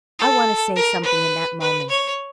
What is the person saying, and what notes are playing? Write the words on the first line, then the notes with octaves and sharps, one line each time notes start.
I want to say something in that moment.
A4
A#4
B4
B4
C#5